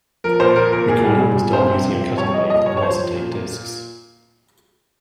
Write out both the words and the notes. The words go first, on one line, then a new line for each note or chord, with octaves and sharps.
Recording was done using a cutting lathe and acetate discs.
F3 A#4
A#2 C5
F3 A#4
A#2 A#4
A#2 G#4
G3
G3
A#2
C3 C5
C3
F3
C3
G3 C#5
G3 D#5
A#2 D#5
G3 C#5
C#5
F3 C5
F3
A#2
A#2